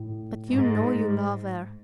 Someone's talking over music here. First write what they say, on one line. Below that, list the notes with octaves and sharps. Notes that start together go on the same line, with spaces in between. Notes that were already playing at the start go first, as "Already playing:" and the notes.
"But you know you love her."
Already playing: A2
G#2